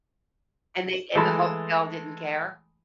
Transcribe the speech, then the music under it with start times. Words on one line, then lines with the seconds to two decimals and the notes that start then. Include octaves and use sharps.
And they and the hotel didn't care?
1.15 E3 G#3 A3 A5 B5 C6